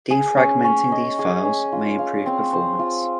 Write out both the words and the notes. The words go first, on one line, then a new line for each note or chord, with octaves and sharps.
Defragmenting these files may improve performance.
G#4
C#4
C#4
D#5
G#4
C#4
F4
F5
C4
C5
F4